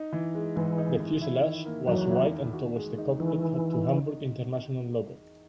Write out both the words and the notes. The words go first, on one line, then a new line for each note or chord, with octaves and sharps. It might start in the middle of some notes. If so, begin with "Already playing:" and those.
The fuselage was white and towards the cockpit had to Hamburg International logo.
Already playing: D#4
E3
G#3
G#2 E3
D#4
E3
E4
D#3
A#3
E2 F#3
E4
D#3
F#4
G#3
D#4
D#3 E3